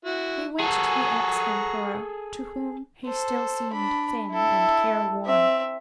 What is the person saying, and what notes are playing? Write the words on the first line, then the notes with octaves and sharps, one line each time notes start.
He went to the ex-Emperor, to whom he still seemed thin and careworn.
E4 F#4
G#4 A4 F#5 A#5 C#6
A4 C5
D4 B5
E4 A4
C4 E5